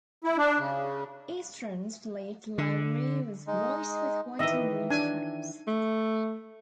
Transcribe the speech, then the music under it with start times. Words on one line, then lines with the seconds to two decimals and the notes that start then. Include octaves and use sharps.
Eastrans fleet livery was white with white and green stripes.
0.24 E4
0.37 D4
0.59 C#3
2.58 D3
3.47 G#3 D#4
4.39 D#3 E3 D#5 E5
4.90 D4 G#5
5.67 A3